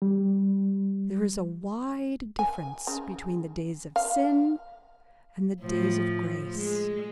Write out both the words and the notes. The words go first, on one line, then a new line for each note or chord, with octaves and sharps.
There is a wide difference between the days of sin and the days of grace.
G3
G#5
C#3
F5
A2 F3
G#3